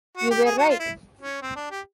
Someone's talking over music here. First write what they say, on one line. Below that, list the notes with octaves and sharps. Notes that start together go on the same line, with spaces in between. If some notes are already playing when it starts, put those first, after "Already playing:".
You were right!
F#4
G4
G#4
F#4
F4
E4
C#4
C4
D4
G4